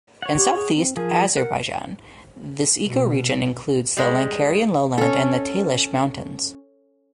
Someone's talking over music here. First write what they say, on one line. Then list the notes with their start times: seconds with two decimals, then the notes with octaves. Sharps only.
In southeast Azerbaijan, this ecoregion includes the Lankaran Lowland and the Talysh Mountains.
0.22 C#5 F#5
0.37 G4
0.54 G#4
0.76 C4
0.97 F3 G#4 A#4
1.37 A#4 F#5
2.88 B2
3.97 G3 G#3
4.98 C#4 A4